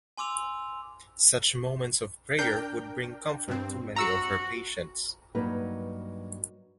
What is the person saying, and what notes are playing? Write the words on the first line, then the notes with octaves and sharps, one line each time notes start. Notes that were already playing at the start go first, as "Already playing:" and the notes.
Such moments of prayer would bring comfort to many of her patients.
G#5 C6 D6 E6 F7
D4 A#4 G5 G6
G2 C4
F#4 A#5 E6 C#7
G2 F#3 A#3 D#4 B4